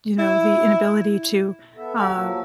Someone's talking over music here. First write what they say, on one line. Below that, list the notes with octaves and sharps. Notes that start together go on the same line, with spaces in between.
you know, the inability to, uh,
E4
B3 A4 E5
D#2 F#4 G4 F#5 A5 E6
F3 F#3 A#3